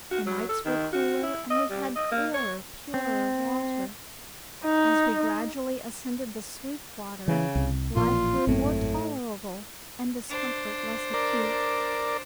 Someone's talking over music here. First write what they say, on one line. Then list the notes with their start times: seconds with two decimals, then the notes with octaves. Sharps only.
The nights were cooler, and we had clearer, purer water. As we gradually ascended the Sweetwater, life grew more tolerable and discomfort less acute.
0.11 F#4
0.27 F#3
0.49 A4
0.65 D#3
0.93 F#4
1.23 E4
1.50 D#5
1.70 G3
1.96 D#5
2.11 A#3
2.34 C#5
2.94 C4
4.65 D#4
7.28 C#3 E3
7.55 C2
7.95 A1 A#2 F3 F4
8.47 G#1 F#2 A2 C4
10.30 D4 C5
11.14 A#4 D5